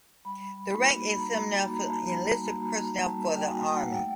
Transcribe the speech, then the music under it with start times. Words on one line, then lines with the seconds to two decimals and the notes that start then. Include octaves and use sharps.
The rank insignia for enlisted personnel for the army.
0.25 G3 B5
0.71 A#3 D#4 F#4 B5
1.10 B5
1.17 G3 A#5
1.64 A#3 D#4 F#4 B5
1.74 A#5
1.85 A5
1.95 A#5
2.09 G3 B5
2.55 A#3 D#4 F#4 A#5
3.01 G3 A5
3.36 G5
3.48 A#3 D#4 F#4 G#5
3.84 F#5
3.94 A3 G5